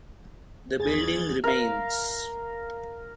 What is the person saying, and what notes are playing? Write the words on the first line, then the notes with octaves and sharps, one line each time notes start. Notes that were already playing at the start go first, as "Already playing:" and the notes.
The building remains.
E2 G#4 G#6 A6
A#4 F5